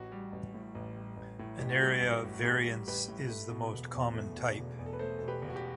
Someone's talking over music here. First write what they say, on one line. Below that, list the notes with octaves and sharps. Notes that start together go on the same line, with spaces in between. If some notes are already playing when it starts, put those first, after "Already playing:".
An area variance is the most common type.
Already playing: A1 F#4
G3
A1
A2
A1
G3
A1
A2
A1 G4
F#4
G3 G4
A1 F#4
A2
F#4
A1 G4
G3
A1 G4 B4
A2
A3
B2
E1
E2
A3
B2
E1
E2
A4
B4
A3 A4 C5
B2 A4
G4 B4
E1
F#4
G4